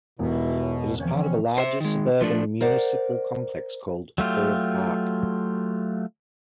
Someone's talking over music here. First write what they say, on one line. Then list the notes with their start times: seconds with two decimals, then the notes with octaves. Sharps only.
It is part of a larger suburban municipal complex called Ford Park.
0.19 E1 G#2 B2 G3 E4
0.62 C#5
0.98 D3 E3 F3 C4 C#4
1.58 C5 E5
1.81 D#3 G#3
2.21 F3 A3 D4
2.61 A#4 C5 D5 F#5
4.18 F#3 A3 F4 G4